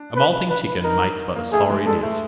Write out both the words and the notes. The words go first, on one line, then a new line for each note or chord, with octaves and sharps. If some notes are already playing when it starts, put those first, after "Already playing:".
A moulting chicken makes but a sorry dish.
Already playing: D4
B4
B4
D#4 A#4
A#3
A3 G#4
G#3
G#3 A4
A3